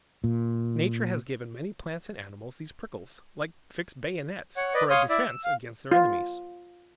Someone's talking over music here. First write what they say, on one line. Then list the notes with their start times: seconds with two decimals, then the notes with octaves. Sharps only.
Nature has given many plants and animals these prickles, like fixed bayonets, for a defence against their enemies.
0.24 A#2
4.57 C#5 F#5
4.74 B4 D5 D#5
4.90 C#5 F5 C6 D#6
5.10 E4 D5 E5
5.24 E6
5.44 F5
5.91 F4